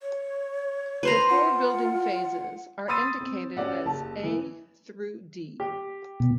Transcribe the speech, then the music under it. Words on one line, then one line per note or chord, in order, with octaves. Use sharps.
The four building phases are indicated as a–d.
C#5
B4 C5 A#5
F4 F#5
B5 C6 D#6 E6 A6 D#7
C4
C#4 F#4 G4 D5 F#5
F#1 G4 A5
E3
G4
B2